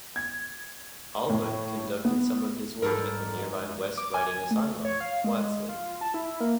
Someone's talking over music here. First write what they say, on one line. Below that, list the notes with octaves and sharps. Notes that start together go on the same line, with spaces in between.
Allbutt conducted some of his work at the nearby West Riding Asylum, Wadsley.
G#6
A2
B3
G#2 G3 A4 A#4
D6
G#5
A3
C#5
F5
G#3
F4
A5
E4
A#3